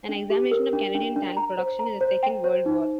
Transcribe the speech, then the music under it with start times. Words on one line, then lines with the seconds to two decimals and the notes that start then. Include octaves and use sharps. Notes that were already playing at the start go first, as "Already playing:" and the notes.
An examination of Canadian tank production in the Second World War.
0.09 D4
0.30 G4
0.51 A#4
0.73 D4
0.95 D4
1.16 D4
1.37 A#5
1.58 C5
1.79 A#5
2.01 C5
2.23 G5
2.44 C5
2.66 D#4